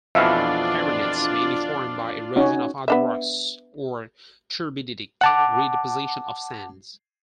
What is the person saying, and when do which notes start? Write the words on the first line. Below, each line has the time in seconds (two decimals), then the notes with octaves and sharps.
Arenites mainly form by erosion of other rocks or turbiditic re-deposition of sands.
0.15 F2 B2 E3 D4 F4 D5 E5 F5
2.36 C#4 D#4 F#4
2.88 B3 D4 E5
5.21 F#5 A5 D6